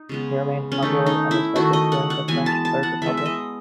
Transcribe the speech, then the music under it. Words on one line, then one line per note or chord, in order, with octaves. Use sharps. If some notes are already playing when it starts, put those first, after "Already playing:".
He remained popular and respected during the French Third Republic.
Already playing: D#4
C#3 G#3 B3
C#4
D#3 A3 D#4
D#4
E4
D#3 A3 F#4
D#5
F#5
F#5
E3 G#3 B3 G#5
A5
A5
F#5
E3 G#3 B3 E5
E5
D#5